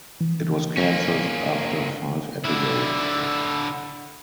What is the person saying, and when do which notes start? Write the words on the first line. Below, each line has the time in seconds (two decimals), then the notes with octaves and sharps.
It was cancelled after five episodes.
0.21 E3
0.77 A#3 C#4
2.45 D3 E4